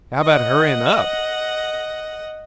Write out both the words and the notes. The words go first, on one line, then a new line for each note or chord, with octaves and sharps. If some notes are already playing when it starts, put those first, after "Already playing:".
"How 'bout hurryin' up?"
D#5 F#5